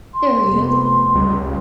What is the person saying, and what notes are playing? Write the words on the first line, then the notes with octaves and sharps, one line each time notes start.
There really is,
C6
F1 F2 B3
C#2 G3